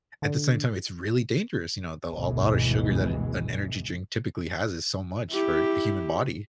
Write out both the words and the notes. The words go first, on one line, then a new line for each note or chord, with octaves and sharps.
at the same time, it's really dangerous, you know, though a lot of sugar that an an energy drink typically has is so much for a human body.
D3
G#1 D2 G2 B2 E3 G#3
E4 G4